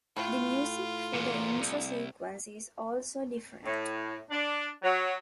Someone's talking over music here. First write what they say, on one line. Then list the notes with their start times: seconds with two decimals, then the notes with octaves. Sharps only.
The music for the intro sequence is also different.
0.16 A2 F4
1.14 E2 A#2
1.61 C2
3.64 A2
4.30 D4
4.83 F#3